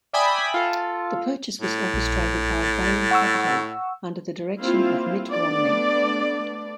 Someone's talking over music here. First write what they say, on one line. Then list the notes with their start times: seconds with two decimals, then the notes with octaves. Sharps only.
The purchase was orchestrated by Bain Capital under the direction of Mitt Romney.
0.13 D5 E5 G5 G#5 B5 D#6
0.54 F4 A4
1.61 A2
1.94 A#1
3.11 F#5 C#6 E6
4.61 A#3 C4 E4 F4 C5 F5
5.31 A3 B3 D4 D5